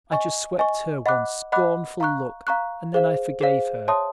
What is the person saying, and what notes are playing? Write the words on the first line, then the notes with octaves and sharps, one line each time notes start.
I just swept her one scornful look and then I forgave her.
D#5 G#5 C#6
D#5 G#5 C#6
D#5 F#5 B5 D6 F#6
D#5 F#5 B5 D6 F#6
F5 A#5 C#6 F#6
F5 A#5 C#6 F#6
G#4 C5 F5
G#4 C5 F5
C#5 E5 A5 C6 D#6